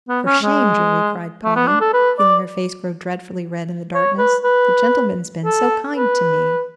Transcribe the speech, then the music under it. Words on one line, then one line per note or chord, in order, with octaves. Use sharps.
"For shame, Joey!" cried Polly, feeling her face grow dreadfully red in the darkness, "the gentleman's been so kind to me!"
B3
C#4
G#3
A3
B3
D4
A4
B4
D5
C#5
B4
B4
A4
B4